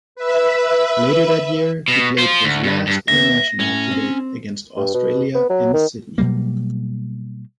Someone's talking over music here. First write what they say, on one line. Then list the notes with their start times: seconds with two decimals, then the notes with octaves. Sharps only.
Later that year, he played his last international to date against Australia, in Sydney.
0.15 B4 E5
1.88 B2
2.18 F4 C5
2.44 D2
2.63 G2
2.87 G2
3.08 D#2 B3 E5 A#6
3.60 A2 C#4
3.91 C4
4.77 G2
4.94 B2
5.35 B3
5.50 F#3
5.74 D#3
6.18 B2 F#3 G3 A#3